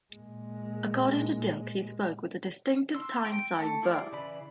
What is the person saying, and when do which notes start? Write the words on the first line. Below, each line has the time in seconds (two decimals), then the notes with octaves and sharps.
According to Dilke he spoke with a distinctive Tyneside burr.
0.14 A#2 G#3
2.95 C6 E6
3.25 G5
3.59 A3 A4
3.83 E4 G4 G#4 C5 D5
4.12 C#3 E3 D5 B5